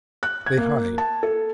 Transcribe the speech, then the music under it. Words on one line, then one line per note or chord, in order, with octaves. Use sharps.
They hide.
F#6
G#6
A#3
A5
A4